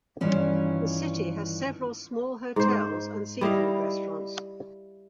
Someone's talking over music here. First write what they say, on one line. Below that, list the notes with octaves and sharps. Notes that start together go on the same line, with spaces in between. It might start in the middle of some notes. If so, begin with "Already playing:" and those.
The city has several small hotels and seafood restaurants.
G2 D#3 E3 C#4 F4
G#2 C5
G3 E4 D#5 F5